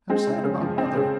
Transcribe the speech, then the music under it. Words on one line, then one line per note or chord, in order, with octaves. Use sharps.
"I am sad about mother."
G#3 C4
C#3
C#3
F3
C4
C#3